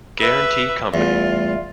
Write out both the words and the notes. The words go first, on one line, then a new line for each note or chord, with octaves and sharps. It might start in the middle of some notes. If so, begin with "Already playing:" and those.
Guarantee Company.
B4 E5
E2 G3 A3 F4